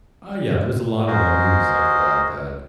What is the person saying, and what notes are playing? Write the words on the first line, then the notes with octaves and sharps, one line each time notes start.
Ah, yeah. There's a lot of, uh, movies like that that
F#4 G#4 A#4 C5 D#5